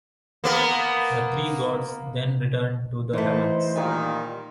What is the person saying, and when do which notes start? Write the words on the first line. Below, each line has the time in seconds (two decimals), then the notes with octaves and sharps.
The three gods then returned to the heavens.
0.44 A#3 B3 A#4
3.13 E3 A3 B3 D#4 C5
3.76 A#2 D#3 G3 F4